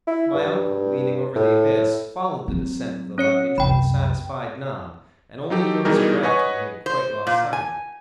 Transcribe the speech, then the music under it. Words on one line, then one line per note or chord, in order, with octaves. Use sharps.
My uncle, leaning over the abyss, followed the descent of the luggage with a satisfied nod, and only rose erect when he had quite lost sight of it.
E4
G2
A2
F#3 C4
C#4 C#5 C#7
C2 F#2 G5 B5
F#3 D#4 G4 A4
B2 E3 G3 D#4 G#4 A#4
B4 C#5 D#5 F#5 G#5 C#6
C5
A#2
G#5